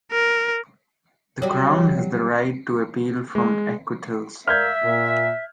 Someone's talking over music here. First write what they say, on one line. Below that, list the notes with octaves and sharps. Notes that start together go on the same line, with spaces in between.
The Crown has the right to appeal from acquittals.
A#4
F#3 G3
G#3
A#4 D5 E5 F5 F6 G6 G#6
A#2